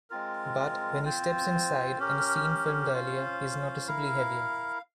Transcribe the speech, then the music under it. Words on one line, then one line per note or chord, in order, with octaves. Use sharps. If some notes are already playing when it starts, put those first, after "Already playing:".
But, when he steps inside, in a scene filmed earlier, he is noticeably heavier.
G#3 C4 F4 A#4
C4 F4 C5
C#4 G4 A#4
C#4 F4 C5 F5
E4 A#4 F5